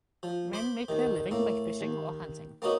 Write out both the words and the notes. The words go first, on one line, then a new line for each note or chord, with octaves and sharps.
Men make their living by fishing or hunting.
F3
C5 B5 D6
D#2 D#3
A2 A#3
D#2
A#3 B3 C#4 D#4 F#4